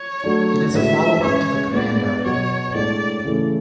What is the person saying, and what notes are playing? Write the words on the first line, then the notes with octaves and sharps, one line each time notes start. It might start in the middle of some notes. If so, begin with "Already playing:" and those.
It is a followup to the "Commando".
Already playing: C#5
F#3 A3 D4
A2 G#3 D4 F#4 B4 E5
G#3 C#4 G#4 B4 C#5
G#3 B3 D4 D5
B2 F#3 B3 C#5
A2 G#3 D4 D5
C#3 E3 A3